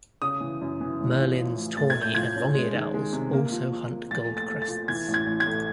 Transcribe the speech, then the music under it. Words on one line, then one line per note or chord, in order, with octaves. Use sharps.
Merlins, tawny and long-eared owls also hunt goldcrests.
C#3 D#6
E3
F#2
E3
A1
F3
F3
A1
A2 A6
G#6
A2 G6
F3 G#6
C#4
G#3
D#3
G#3
C3
A#3
F3
F3
A#3
A#1 A6
A3
A6
A3
A6
F3
E3 G#6
A1
G#6
A1
G#6
A2